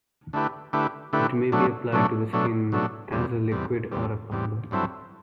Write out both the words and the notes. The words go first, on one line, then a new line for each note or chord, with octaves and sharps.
It may be applied to the skin as a liquid or a powder.
D3 A3 E4 G4 B4
D3 A3 E4 G4 B4
D3 A3 E4 G4 B4
B2 F#3 A3 D4
B2 F#3 A3 D4
B2 F#3 A3 D4
B2 F#3 A3 D4
E2 C3 G3
E2 C3 G3
E2 C3 G3
E2 C3 G3
G2 F#3 C4 E4 A4